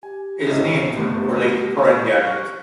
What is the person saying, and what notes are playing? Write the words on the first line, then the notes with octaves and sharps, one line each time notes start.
It is named for Lake Corangamite.
G4 G#5
G#1 C3 C#4 E4 D#5
G1 G2 A3 B3 A#4 C5
C#6 D#6 A6
C#6 F6 F#6